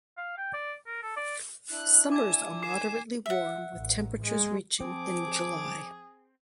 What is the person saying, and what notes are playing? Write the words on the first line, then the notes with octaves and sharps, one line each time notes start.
Summers are moderately warm with temperatures reaching in July.
F5
G5
D5
A#4
A4
D5
D4 E4 F#6
G#5 D6 G#6
D#3 G#5 D6 C7 E7
E5 F#5
A1
G#3
F3 C4 G#4 D6